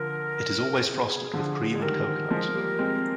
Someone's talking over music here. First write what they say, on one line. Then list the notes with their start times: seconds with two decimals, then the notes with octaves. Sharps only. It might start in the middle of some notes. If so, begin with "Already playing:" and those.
It is always frosted with cream and coconut.
Already playing: D3 F3 A#4
0.86 G#4
1.34 D3 F3
1.71 G#3 G#4
1.82 D#3 G3 A#4
2.30 F3 G#3
2.55 G3 A#3
2.79 G#3 C4